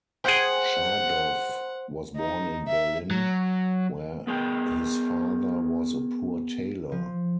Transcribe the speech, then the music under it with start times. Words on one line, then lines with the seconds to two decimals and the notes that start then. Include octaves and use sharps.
Schadow was born in Berlin, where his father was a poor tailor.
0.24 G#4 C5 F#5 G5
2.16 D#4
2.68 E5
3.11 F#3
4.27 B3 G#4 A#4 D#5 G5
6.92 F3